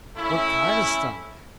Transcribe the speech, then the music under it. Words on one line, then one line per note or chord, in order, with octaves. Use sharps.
"What kind of stock?"
A3 C#4 E4